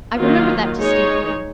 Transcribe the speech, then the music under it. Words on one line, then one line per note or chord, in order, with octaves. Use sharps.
I remember that distinctly.
D#3 F#3 A#3 F4
G#3 D#4 G#4 C#5